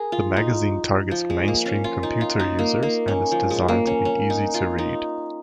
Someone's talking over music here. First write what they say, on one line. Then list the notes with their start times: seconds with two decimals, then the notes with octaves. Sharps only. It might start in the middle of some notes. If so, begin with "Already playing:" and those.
The magazine targets mainstream computer users and is designed to be easy to read.
Already playing: G#4 A#4
0.12 F4
0.37 D#4
1.11 F3
1.30 G#3
1.48 A#3
1.66 C#4
1.84 F4
2.03 D#4
2.21 F4
2.40 D#4
2.59 A#3
2.83 A#3
3.08 C#4
3.32 F3
3.51 G#3
3.68 A#3
3.87 C#4
4.05 C#4
4.30 D#4
4.54 F4
4.79 D#4